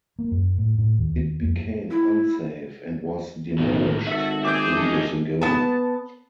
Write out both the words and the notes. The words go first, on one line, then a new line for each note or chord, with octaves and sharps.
It became unsafe and was demolished a few years ago.
A#3
F#2
A2
A2
D#2
D#2
F2
E4
B1 A2 D#3
G#1 F#4 A4 E5
C4 G#4 D6 G6
D#4 A4
B3 A5